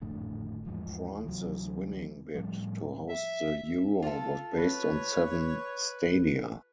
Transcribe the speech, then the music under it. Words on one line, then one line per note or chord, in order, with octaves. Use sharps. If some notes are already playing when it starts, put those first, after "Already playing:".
France's winning bid to host the Euro was based on seven stadia.
G#1 F2 A2 D3
E2 G#2 F3
D2 C3 E3 F#3
A2 F3 G3
E5
F4 A4
B4 C#5